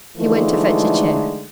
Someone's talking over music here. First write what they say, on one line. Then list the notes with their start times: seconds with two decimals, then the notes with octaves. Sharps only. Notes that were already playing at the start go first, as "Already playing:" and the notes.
He went to fetch a chair.
0.18 D3 E3 F3 G#3 A3 D#4